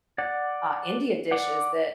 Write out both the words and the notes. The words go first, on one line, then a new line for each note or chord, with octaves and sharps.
uh, Indian dishes that,
D5 F#5
D5 F#5